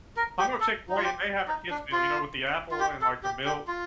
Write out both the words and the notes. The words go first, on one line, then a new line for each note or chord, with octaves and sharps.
I know Chick-fil-A, if they have a kids meal, you know, with the apple, and, like, the milk
A#4
G4
A4
D#4
F4
G4
D#4
D4
F4
F4
G4
A4
G4
G4
F4